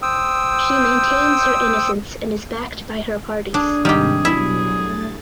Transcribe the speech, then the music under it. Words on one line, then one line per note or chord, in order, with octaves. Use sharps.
She maintains her innocence and is backed by her parties.
C5 G5 D#6 E6
D4 G#4
G#2 C3 D#3 G3 C4 G4 G#4
B2 F#3 E4
A3 A6